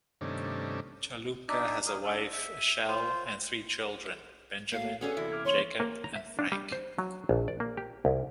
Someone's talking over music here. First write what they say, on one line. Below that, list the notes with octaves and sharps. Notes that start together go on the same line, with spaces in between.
Chaloupka has a wife Eshell, and three children; Benjamin, Jacob, and Frank.
G2 C3 D#3 A3 C#4 D4
D4 D#4 D5 E5
G3 G#4 A#4 G#5
D4 A4
E5
F4 C5
A#3 F#4 A4 F5
B3 C#4 F#4 G#4 A4 D5
E2 C3 E4
D6 F6 G#6
E3 A#3 C#4 C#5 C6
A#3
A#5
E5
D4
G3
C5
F#3
A#1
D5
A#3
G4
C2